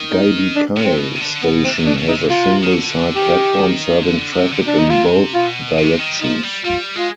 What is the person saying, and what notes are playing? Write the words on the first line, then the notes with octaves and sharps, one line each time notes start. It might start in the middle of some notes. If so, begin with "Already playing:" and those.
Geibikei Station has a single side platform serving traffic in both directions.
Already playing: D#3
D#4
D4
C3
C4
B2
C3
D3
B2 B3
C3 C4
B2 D4
B2
C3 D#4
C3 F4
D#3
D3
D#3 G4
D3
C3
D3
C3
D4
D#4
C3 F4
B2 F4
C3
D#3
G3
F3 D#4
G3
G3 F4
G#3 F4